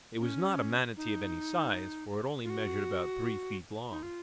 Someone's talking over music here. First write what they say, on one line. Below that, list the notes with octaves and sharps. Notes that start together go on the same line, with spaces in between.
It was not a manatee of any size, for it only measured about three feet long.
C#4
D#4
F4
F#4
D#4
F4